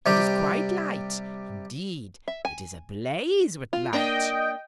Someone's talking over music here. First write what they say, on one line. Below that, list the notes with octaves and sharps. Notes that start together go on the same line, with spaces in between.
It is quite light, indeed it is ablaze with light.
C3 G3 G4
E5
G#5
F4
A#3 D4 D#5 G5